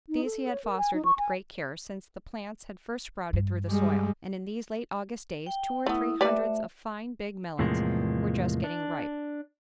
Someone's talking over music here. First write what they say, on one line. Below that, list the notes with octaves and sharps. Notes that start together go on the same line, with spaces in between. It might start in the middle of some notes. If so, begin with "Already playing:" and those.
These he had fostered with great care since the plants had first sprouted through the soil, and in these late August days two or three hundreds of fine, big melons were just getting ripe.
D#4
A4
C#5
A#4
G#5
D#4
C#6
G#5
G2
G3 G#3
G5
A3 B3 E4 D#6
A3 G4 B4 D5 E5
E2 A2 C3 F3 G#3 A#3
D4